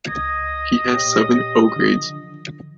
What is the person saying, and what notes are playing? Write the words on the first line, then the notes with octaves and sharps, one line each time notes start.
"He has seven O-Grades".
C#2 D#5 G#6
A#2 G4 C#5
D3 F3